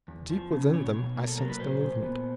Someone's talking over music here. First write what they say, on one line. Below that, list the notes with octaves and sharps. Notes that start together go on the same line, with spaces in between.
Deep within them I sensed a movement.
E2
F3
C#3
B2 C#5
B2
A#3
A4
F#3 A#4
B4
A#2 C5
A#2
B3